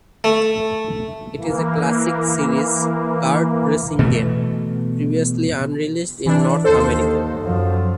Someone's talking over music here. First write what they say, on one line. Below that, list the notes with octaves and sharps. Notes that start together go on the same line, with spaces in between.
It is a classic series kart-racing game previously unreleased in North America.
A3
E3 A#3
B2 E3 A3
E3 D4
D#2 A4 C5
F#2 F3